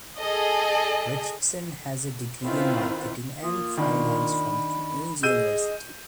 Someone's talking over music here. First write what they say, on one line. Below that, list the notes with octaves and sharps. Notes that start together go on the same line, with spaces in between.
Richardson has a degree in marketing and finance from Queen's University.
G#4 A4 D#5
D#3 C4 C#4 E4 F4 B4
A#3 F4 D#6
D#3 D4 B5
G#4 D#5 E6 G6 D#7